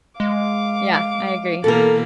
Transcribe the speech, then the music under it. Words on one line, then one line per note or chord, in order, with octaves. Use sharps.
Yeah, I agree.
G#3 F5 D6
B2 E3 A#3 A4 A#4